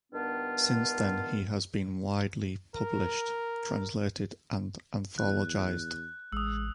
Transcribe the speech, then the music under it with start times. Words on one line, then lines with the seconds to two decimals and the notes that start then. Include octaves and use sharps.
Since then he has been widely published, translated and anthologised.
0.13 G2 D#3 B3 D4 F4
2.75 A#4
5.18 E2 F#6
6.32 A1 G#3 D#6 E6